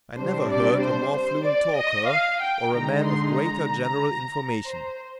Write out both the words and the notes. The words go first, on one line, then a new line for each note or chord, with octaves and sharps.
I never heard a more fluent talker, or a man of greater general information.
C3 G3 D4 C5
D5
C5
C5
D5
D#5
F5
G5
D3 G#3 D#4 A#5
C6
A#5
C5